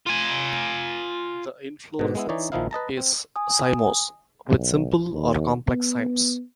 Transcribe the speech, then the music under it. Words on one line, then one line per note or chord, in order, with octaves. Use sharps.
The inflorescence is cymose, with simple or complex cymes.
F4 G#5
G#2 B2
G#3 B3 E4
E3 D#4 C#5 D5
A#1 D#3 F3 D#4 E4 F5
B4 D#5 A5 A#5
C4
G#5 D#6
B1
D#2
B3